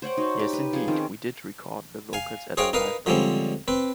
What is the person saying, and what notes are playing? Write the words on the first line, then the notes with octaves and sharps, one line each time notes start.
Yes indeed, we did record the vocals at a live venue.
C5 C#5 F#5 G5
D#4 F#4
G4
B4
F3 G#4
D#3 C4 C#4
F5 G#5
G#4 C5 C#5 D#5 F5 G5
D#4 A#4 B4 F5 D#6
D3 F3 G3 G#3 C4 C#4
C4 B4